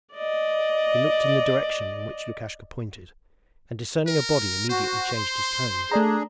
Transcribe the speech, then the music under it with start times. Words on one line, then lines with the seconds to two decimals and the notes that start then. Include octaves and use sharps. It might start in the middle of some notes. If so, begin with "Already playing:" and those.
He looked in the direction in which Lukashka pointed, and discerning a body immediately changed his tone.
0.14 D5 D#5
4.07 A#4
4.70 F#4 C5
5.17 C6
5.91 A3 D4 G#4 D5 A#5